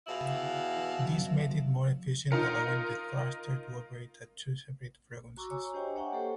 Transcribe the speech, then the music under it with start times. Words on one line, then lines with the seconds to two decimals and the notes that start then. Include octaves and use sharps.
This made it more efficient allowing the thruster to operate at two separate frequencies.
0.07 E2 B2 E4 D5 F5
2.31 D#4 F4 A#4 C#7
5.37 F#4 A#5 C#6 D6 E6
5.50 C#5 G#5 A#5 E6
5.73 D4 G4 C5 D#5 G5 G#5
5.96 C#5 E5 F#5 G5 A#5 C#6
6.13 A#3 G4 A4 C5